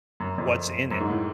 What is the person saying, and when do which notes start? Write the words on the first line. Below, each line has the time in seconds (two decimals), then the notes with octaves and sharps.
what's in it.
0.20 F#2
0.38 F2
0.91 F#2
1.00 G#2
1.09 A2